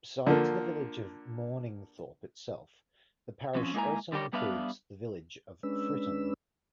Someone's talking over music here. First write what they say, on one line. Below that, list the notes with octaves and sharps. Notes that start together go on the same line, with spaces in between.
Besides the village of Morningthorpe itself, the parish also includes the village of Fritton.
D3 F3 A#3
F3 C4 C#4
G#3 A#3 E4 F#5 G#5 A#5
D3 G3 A3 G4 A#4 C#5
G3 B3 D4 B4 E5 F5
G#3 C#4 D4 B4 E6